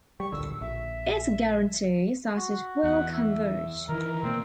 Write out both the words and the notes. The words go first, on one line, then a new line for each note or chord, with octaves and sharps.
It guarantees that it will converge.
G3 C#6
D1 A#1 D3 E6
A#1 E5
F#4
E2 F#5
E5
D#3 E3 A#4
B2 A#3 C4